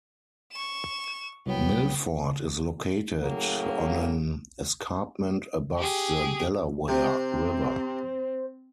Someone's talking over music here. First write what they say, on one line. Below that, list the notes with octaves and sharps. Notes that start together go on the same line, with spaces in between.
Milford is located on an escarpment above the Delaware River.
C#6 E7
C2 F#3 B3 G5
A2 C#3 F#3 A#3
G4 G#4
C3 C4 C5